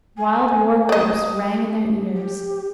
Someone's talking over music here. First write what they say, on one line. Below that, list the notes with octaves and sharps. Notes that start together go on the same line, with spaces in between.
Wild war-whoops rang in their ears.
G#5
D5 D#5 D#6
G4
G4